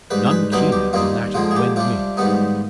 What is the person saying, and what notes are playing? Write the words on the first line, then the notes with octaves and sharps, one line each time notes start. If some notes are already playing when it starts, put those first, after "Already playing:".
None keener than that of Gwen Wynn.
G#2 D#3 G3 B4
G#4
B4
B1 B2 G3 C4 D#4 B4
G4
D#2 D#3 G3 C4 D#4 F4
F2 D3 F3 G#3 F4
G#4
G4
C3 G3 D4 F4
G#2 D#3 G3 B3 D#4